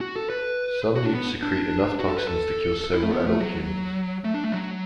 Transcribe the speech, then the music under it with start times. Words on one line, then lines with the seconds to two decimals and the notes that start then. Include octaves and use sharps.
Some newts secrete enough toxins to kill several adult humans.
0.01 F#4
0.16 A4
0.30 B4
0.96 F#4
1.05 D4
1.14 B3
1.42 D4
2.00 F#4
2.08 A4
2.18 B4
2.28 A4
2.84 A4
2.93 E4
3.03 A3
3.12 B3
3.27 A3
3.40 F#3
4.24 A3
4.34 D4
4.44 A3
4.52 F#3